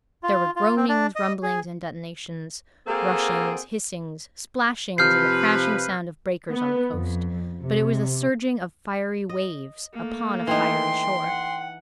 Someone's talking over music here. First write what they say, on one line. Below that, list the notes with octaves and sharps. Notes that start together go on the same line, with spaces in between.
There were groanings, rumblings, and detonations; rushings, hissings, splashings, and the crashing sound of breakers on the coast; but it was the surging of fiery waves upon a fiery shore.
F4
F4
C4
D4
D#5
G#4
A#3 C4 F#4 G#4 A4
C3 F3 B4 F6 G6 C7
B3
F2
C3
D#5
A3 A#3
E3 D#4 G5 C6
F#5